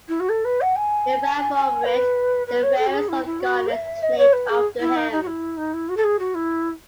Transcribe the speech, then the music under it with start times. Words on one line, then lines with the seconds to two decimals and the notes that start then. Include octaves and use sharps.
Uvarovite, the rarest of garnets, is named after him.
0.08 E4
0.20 F#4
0.29 A4
0.45 B4
0.61 F#5
0.76 G#5
1.23 A5
1.39 G#5
1.54 G#5
1.84 B4
2.47 B4
2.63 C#5
2.78 A4
2.87 F#4
2.94 G#4
3.08 E4
3.25 E4
3.40 F#4
3.72 E5
4.03 D#5
4.18 C#5
4.33 B4
4.49 G#4
4.80 E4
4.96 D#4
5.11 D#4
5.22 F#4
5.27 E4
5.57 D#4
5.73 E4
5.89 F#4
5.97 A4
6.04 G#4
6.19 F#4
6.35 E4